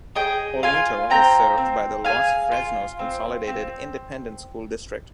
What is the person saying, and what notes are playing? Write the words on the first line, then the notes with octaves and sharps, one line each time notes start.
Olmito is served by the Los Fresnos Consolidated Independent School District.
G#4 D#5 G5
F4 F5 G#5
C4 G5 A#5
C4
G#4 F5 G#5
F4
C4
C4